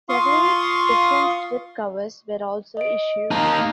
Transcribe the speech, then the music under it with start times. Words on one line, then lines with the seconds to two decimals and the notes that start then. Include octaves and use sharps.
Several different slip covers were also issued.
0.09 F4 F5 C6 C#6 D#6
2.77 D#5 D7
3.31 A#3 D#4 A5 A#5